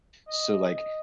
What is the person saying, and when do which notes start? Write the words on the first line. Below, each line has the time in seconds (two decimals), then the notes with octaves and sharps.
So, like,
0.28 D#5
0.70 D#5